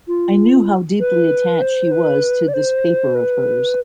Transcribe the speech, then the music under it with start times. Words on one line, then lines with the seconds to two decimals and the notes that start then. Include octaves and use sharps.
I knew how deeply attached she was to this paper of hers.
0.08 F4
1.00 B4
1.61 C5
1.91 B4
2.48 D5
2.54 C5
3.15 B4